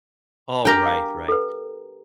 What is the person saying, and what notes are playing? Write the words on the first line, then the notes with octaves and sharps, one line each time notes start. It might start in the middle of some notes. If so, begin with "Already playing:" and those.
Alright, right.
D4 G4 A#4 G5 G#5
F5
A4 B4